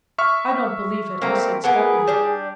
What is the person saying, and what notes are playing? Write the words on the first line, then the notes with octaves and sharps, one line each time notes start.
"I don't believe it," I said stoutly.
E5 C#6 F6
A3 A#3 C4
A#3 B3 G#4
G3 D4